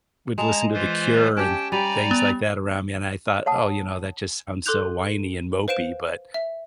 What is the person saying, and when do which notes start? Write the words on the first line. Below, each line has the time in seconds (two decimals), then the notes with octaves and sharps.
would listen to The Cure and things like that around me and I thought, oh, you know, that just sounds so whiny and mopey, but,
0.38 G#3 A5 A#5
0.74 E3 F4 C5
1.37 C#4 G4 G5 A5
1.72 G3 D5 G#5 A#5
2.11 B3
3.46 C#5 F#5 A5 D#6
4.66 A4 C6 D6 F#6 G6 F7
5.68 B4 C5 F5 D7 E7
6.34 E5